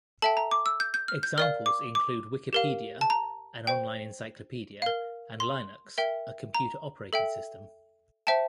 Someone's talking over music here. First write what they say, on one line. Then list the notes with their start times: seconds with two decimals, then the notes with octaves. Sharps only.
Examples include Wikipedia, an online encyclopedia, and Linux, a computer operating system.
0.22 A4 E5 G5 A5
0.37 A#5
0.51 D6
0.66 E6
0.80 G6
0.94 G6
1.08 F6
1.23 G6
1.38 A#4 D5 F5 F6
1.66 D6
1.95 D6
2.53 G4 A#4 F5
3.01 A5
3.10 A#5
3.67 C5 G5
4.82 A#4 F5
5.40 C6
5.98 A#4 E5 G5
6.55 A#5
7.13 A4 E5 G5
8.27 C5 E5 G5 A5